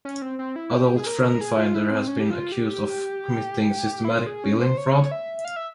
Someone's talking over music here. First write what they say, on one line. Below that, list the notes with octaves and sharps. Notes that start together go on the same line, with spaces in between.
Adult FriendFinder has been accused of committing systematic billing fraud.
C#4
C4
C4
E4
G4
G#4
A#4
G#4
F4
E4
C4
C#4
G4
F4
G4
E4
F4
G#4
C#4
C5
C#5
E5
F5
E5